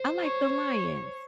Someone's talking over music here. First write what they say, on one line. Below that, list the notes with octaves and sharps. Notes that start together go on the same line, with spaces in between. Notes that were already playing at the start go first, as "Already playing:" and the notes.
I like the Lions.
Already playing: C5
C#5